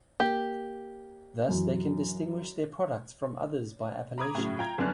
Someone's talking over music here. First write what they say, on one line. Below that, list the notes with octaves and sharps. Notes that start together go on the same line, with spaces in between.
Thus they can distinguish their products from others by appellation.
A#3 G4
F#2 E3
A#5 B5 D6 D#6 G#6
A2 C#3 F#3
F4 G5 A#5 G#6
G1 F#2 B3 D4 F6 F#6